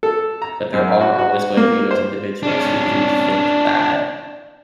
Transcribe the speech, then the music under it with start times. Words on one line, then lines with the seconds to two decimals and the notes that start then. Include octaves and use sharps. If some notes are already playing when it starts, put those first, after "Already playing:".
but there are always going to be those individuals who do think that
0.03 A4
0.42 A#5
0.74 F#2
1.01 F#4
1.19 F#4
1.57 A#3
1.91 C5
2.43 C#4 D4